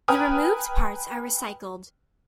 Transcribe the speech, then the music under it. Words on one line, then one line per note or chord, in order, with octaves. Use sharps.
The removed parts are recycled.
B4 G5 G#5 A#5 D#6 F6